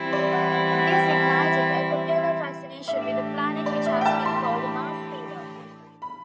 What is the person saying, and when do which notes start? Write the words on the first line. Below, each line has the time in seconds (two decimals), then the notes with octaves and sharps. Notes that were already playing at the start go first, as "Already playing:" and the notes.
This ignited a popular fascination with the planet which has been called "Mars fever".
Already playing: E3 G3 C4 E4
0.13 D5
0.32 F#5
0.52 F#5
0.72 F#5
0.92 G5
1.11 A5
1.30 F#5
1.50 E5
1.70 D5
1.90 E5
2.09 E5
2.88 A2 E3 A3 D4 G4 E5
3.66 D5
3.86 E5
4.01 G5
4.06 A5
4.25 C6
4.44 B5
6.02 B5